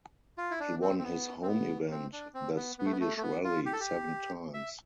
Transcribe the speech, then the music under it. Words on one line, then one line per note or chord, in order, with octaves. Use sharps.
He won his home event, the Swedish Rally, seven times.
F4
E4
D4
C4
C4
B3
C4
B3
C4
D4
C4
B3
B3
A3
B3
A3
A3
B3
F4
G4
A4
G4
E5